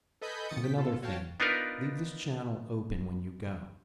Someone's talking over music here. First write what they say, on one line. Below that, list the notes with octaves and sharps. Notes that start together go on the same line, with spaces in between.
And another thing, leave this channel open when you go.
A4 B4 D#5 G#5 B5 G6
F2 D#3 D#6 A6 C#7
G5 B6
B2 F4 A4
F#4 C#5 F5 G5 A5
B3 D4 D#4 F4 A#4 B4